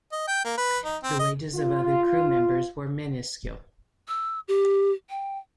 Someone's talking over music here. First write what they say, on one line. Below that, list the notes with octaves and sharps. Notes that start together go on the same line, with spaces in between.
The wages of other crew members were minuscule.
D#5
G5
A#3
B4
D#4
C4
D#5
F4
E6
G4
G5